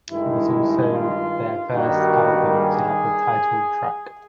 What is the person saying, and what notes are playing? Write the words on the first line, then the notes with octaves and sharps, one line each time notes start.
It was also their first album to have a title track.
G2 D#3 G#3 E4
F4
G2 D#3 G3 A#3 F#4
G#4